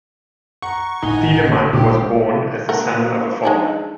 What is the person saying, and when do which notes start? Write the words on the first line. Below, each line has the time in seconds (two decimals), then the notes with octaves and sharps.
Thiedemann was born as the son of a farmer.
0.62 F#5 A#5 C#6
1.03 G1 A2 D#4 F#5 G#5 G7
1.73 G#1 A#2 D#3 G4
2.29 D#3 F3 E4
2.69 A#3 A4 A#4 F#5
3.44 G#3 D4 D#4 G#4